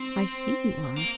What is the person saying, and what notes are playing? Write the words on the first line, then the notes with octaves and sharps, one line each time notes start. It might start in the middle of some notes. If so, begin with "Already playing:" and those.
I see you are.
Already playing: C4
A#3